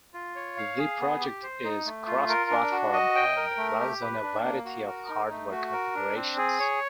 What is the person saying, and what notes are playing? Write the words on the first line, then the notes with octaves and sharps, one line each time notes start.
The project is cross-platform, and runs on a variety of hardware configurations.
F4
C#5
F5
G#4
B3
G4
C5
D#4
A3
F4
A#4
D4
F#4
D#5
G5
A#4
A3
G4
B4
D4
A#3
F#4
A#4
D#4
A3
F#4
A#4
D4
C4
G#4
C#5